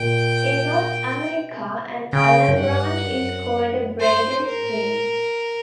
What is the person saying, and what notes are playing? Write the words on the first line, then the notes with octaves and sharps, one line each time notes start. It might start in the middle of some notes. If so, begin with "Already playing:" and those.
In North America an anabranch is called a "braided stream".
Already playing: A#2 G5
B2
C3
C#3
C#3 G5
F#2
G2 F#5
F#2
G2 C5
G#2
A#4
A2
A#2
B2